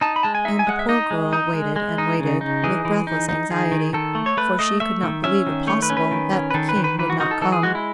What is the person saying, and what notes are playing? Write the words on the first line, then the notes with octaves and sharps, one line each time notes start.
And the poor girl waited and waited, with breathless anxiety--for she could not believe it possible that the king would not come.
D#4 A5
B5
G#3 A5
G#5
D#4 E5
G#5
G#3 F#5
E5
D#4 D#5
G#3
D#4
G#3
G#3
D#4
C#3
D#4
E3 G#4
E3
D#4
D#4
D#3 G#4
D#3
D#3 A4
A3
C#5
A3 B4
A3 D#5
A3 E5
D#3
C#4 E5
D#3
A3 C#5
B4
C#4
B4
D#3
C#4
B4
D#3 A4
B4
D#3
B4
E3 B4
F#4
D#4 F#4
A4
E3 A4
G#4
G#3 F#4
E4